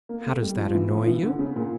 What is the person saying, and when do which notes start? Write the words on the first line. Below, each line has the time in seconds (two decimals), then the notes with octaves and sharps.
"How does that annoy you?"
0.09 A#3
0.26 A3
0.42 G3
0.58 F3
0.75 E3
0.91 F3
1.07 E3
1.23 D3
1.39 C#3
1.56 A#2